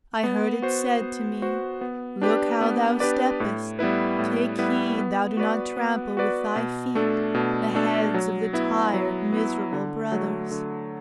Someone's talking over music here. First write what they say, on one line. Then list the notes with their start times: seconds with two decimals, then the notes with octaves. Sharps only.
I heard it said to me: "Look how thou steppest! Take heed thou do not trample with thy feet The heads of the tired, miserable brothers!"
0.24 B3
0.62 F#4 C5
1.02 B3
1.42 F#4 C5
1.81 B3
2.22 D4 G4 B4 D5
2.61 B3
3.00 D4 G4 B4 D5
3.40 A2
3.79 G3 B3 E4 B4
4.19 A2
4.59 G3 B3 E4 B4
4.98 B3
5.37 F#4 B4 D5
5.77 B3
6.17 F#4 B4 D5
6.56 B2
6.95 A3 D4 A4
7.35 B2
7.75 A3 D4 A4
8.14 F#3
8.53 B3 E4
8.93 F#3
9.33 B3 E4
9.73 D3
10.12 F#3 A3
10.51 D3